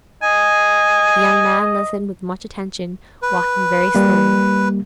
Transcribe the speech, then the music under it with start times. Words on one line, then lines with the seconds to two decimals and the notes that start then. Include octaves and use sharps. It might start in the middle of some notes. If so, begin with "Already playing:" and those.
The young man listened with much attention, walking very slowly.
0.23 D#5 G#5
3.22 B4
3.95 G3 A#3